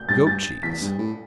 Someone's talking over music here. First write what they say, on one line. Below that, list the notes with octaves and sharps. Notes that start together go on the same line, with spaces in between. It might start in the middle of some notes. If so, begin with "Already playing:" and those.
Goat cheese.
Already playing: G6
G2 A6
G2 A6
E2 B6
G2
A2